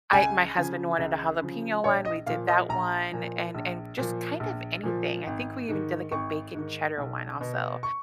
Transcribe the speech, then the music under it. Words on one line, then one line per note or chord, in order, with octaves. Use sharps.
I my husband wanted a jalapeno one. We did that one, and and just kind of anything, I think we even did, like, a bacon cheddar one, also.
C#2 G#5
C#3 F3
C#2
C#3 F3
A#1 C#5
D#5
A#2 F3 F5
D#5
A#1 A#5
A#2 F3
A#1
A#2 F3
A#1
A#2 F3
G#1
G#2 D#3
G#1 C#6
G#2 D#3
B1
B2
C#6